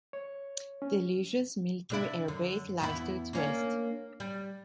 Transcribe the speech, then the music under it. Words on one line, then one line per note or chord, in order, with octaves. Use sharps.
The Eleusis Military Airbase lies to its west.
C#5
C#4
C3 D4 E4
F#2 D3
E2 B3 E4
A#3 C#4 D4
G3